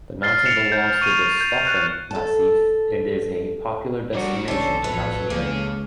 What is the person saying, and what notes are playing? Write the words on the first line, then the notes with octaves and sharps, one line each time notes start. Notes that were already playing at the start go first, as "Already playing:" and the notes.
The mountain belongs to the "Staufen" massif and is a popular destination for mountaineering.
F6 A6 C7 G7
A6 C#7 D7 E7 F7
G6
C#6 D#7 F7
G6
F#6 A6
A4 A5
G3 D4 F#4 A#4
B1 D3 C#4 A4 C5
A1 F#3 B4
C#2 A#3 C#4 G#4